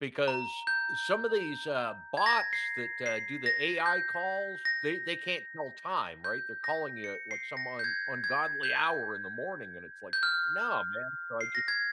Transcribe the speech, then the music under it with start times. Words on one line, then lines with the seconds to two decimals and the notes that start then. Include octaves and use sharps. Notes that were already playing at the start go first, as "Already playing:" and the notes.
because, some of these, uh, bots that, uh, do the AI calls, they they can't tell time, right? They're calling you at, like, some un ungodly hour in the morning, and it's like, "No, man." So, I just
0.28 A#5
0.67 G6
2.17 G#6
2.26 A#6
2.53 C7
3.06 C7
3.46 A#6
3.86 G6
4.65 A#6
6.24 G6
6.64 A#6
7.04 C#7
7.31 C7
7.57 A#6
7.79 G6
7.84 G#6
8.24 G#6
8.63 G6
10.13 G6
10.23 F6
11.41 C7
11.55 A#6
11.68 G#6